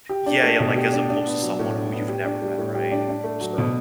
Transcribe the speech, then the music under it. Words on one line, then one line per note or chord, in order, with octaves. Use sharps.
yeah yeah, like, as opposed to someone who you've never met, right, so
G4
D4
A3
B2
G4
D4
D4
B3
F#3
A2
D4
B3
G4
D4
G3
A2
G4
D4
D4
A3
F#3
B2